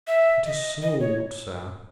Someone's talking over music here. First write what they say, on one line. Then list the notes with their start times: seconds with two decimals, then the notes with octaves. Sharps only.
"It is sold, sir."
0.07 E5
0.45 D#5
0.82 D#5
1.00 C#5